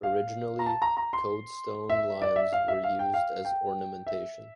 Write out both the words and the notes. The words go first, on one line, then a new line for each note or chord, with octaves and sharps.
Originally, Coade-stone lions were used as ornamentation.
F5
A#5
A5
A#5
A#5
C6
E5
D5
E5
F5
E5
F5
G5
F5
G5
E5